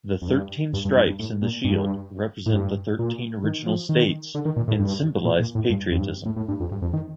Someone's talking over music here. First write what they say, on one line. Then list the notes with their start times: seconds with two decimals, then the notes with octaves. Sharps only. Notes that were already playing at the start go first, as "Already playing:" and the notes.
The thirteen stripes in the shield represent the thirteen original states and symbolize patriotism.
0.22 F2
0.28 G2
0.73 G2
0.85 G2
0.96 G2
1.07 G2
1.19 A2
1.42 A#2
1.64 G2
2.46 A2
2.54 G2
2.99 A#2
3.44 D#3
3.66 F3
3.89 D#3
4.35 D3
4.45 D#3
4.56 A#2
4.68 A2
4.79 G2
5.24 A#2
5.40 A#2
5.55 A2
5.70 G2
5.91 F2
5.99 G2
6.25 A2
6.36 A2
6.48 G2
6.60 F2
6.71 G2
6.82 F2
6.93 D#3